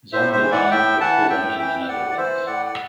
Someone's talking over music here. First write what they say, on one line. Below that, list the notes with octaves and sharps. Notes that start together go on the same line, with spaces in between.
Zondervan was born in the Netherlands.
A2 C5 E5
C5 E5
E3
D5 F#5
A2 E5 G5
E3 F#5 A5
A2 E5 G5
E3 E5 G5
G5
A2 D5 F#5
D5
E3 C5 E5
A2 D5 F#5
F#5